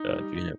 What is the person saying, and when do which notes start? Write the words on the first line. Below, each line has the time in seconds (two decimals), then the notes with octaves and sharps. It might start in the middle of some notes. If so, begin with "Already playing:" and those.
Uh, do you have
Already playing: D#4
0.15 G3
0.35 D#4